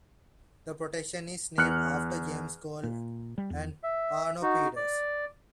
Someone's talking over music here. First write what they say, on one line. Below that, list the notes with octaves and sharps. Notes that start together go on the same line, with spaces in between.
The projection is named after James Gall and Arno Peters.
E2 F6 F#6 C#7
A#2
G3
E2
E5
D#4 F#4
D5